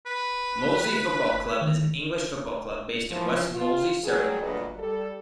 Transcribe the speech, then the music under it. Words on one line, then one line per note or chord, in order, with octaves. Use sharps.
Molesey Football Club is an English football club based in West Molesey, Surrey.
B4
D#3
E3 F3
F4
F#3 G3 G#4
D2 G2 A#2 F#3 B4 D#5
G3 A4